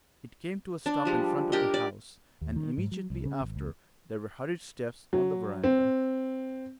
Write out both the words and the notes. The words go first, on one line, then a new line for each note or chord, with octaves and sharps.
It came to a stop in front of the house, and immediately after there were hurried steps on the veranda.
D4
F3 G3 G#3
D4 G4 A#4 D#5
D5
D#2
D#3
G#2
F#3
C2
C#3
G#1
C#2
F#3
C4